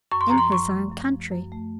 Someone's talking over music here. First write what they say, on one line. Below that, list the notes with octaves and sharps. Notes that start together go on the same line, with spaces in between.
"In his own country."
F#2 C#6
C6
F3 A#5
C6
F#2 C#6
A3
F#2
F3
F#2
A3